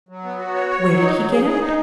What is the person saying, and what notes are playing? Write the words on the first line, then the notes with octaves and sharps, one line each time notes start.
Where did he get out?
F#3
B3
F#4
C#5
C#5
F#3
D#4
F#3
G#4
G#4
D#4